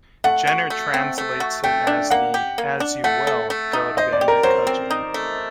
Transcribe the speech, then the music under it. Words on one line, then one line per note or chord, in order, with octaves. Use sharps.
Jenner translates it as the As-You-Will Gold-Banded Cudgel.
A3 F#5
F#4
A3
C4
A3
F#4
A3 G5
D4
A#3 F#5
G4
A#3
D4
A3 F#5
A4
A3
D#4
C5 D#5
D5
G4
A#4
F#3 C5
C4
D#4
A3